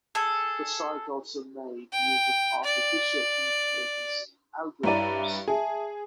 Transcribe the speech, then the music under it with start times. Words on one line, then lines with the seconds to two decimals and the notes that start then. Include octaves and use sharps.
The site also made use of artificial intelligence algorithms.
0.15 G#4 A4
1.92 G5
2.64 D5
4.83 G2 E4 C#5 D5 A#5 D#7
5.48 G#4 E5 G#5 A5